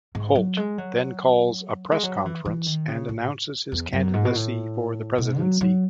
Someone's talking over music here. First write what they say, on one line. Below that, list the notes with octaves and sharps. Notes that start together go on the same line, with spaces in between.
"Holt" then calls a press conference and announces his candidacy for the presidency.
G#2
F#3
G#3
F#3
G#3
F#3
E3
E3
D#3
C#3
A2
E2
F#2
G#2
B2
A2
B2
F#3
F#3